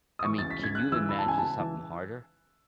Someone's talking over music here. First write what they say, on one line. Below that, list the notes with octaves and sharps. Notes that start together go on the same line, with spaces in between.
I mean, can you imagine something harder?
D#6
E3 C#6
A6
C#2
B6
C#2 G#6
C#3 F#6
E3 E6
E3 B5
A5
C#2 G#5
C#2 A5
E3